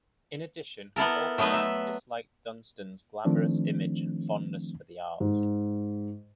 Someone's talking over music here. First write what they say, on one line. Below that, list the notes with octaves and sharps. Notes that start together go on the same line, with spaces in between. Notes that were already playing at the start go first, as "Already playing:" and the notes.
In addition, Corcoran disliked Dunstan's glamorous image and fondness for the arts.
B3 E4 A4 A#4
F#3 A3 B3 D#4 B4
E5
D#3 F3 A3 C4 D4
G#2